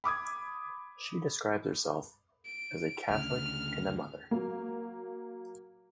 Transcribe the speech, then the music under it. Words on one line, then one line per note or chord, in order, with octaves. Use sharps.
She describes herself "As a Catholic and a mother".
B5 D6 D#6 G#6
D7
D2 C#3 F6
F#3 A#3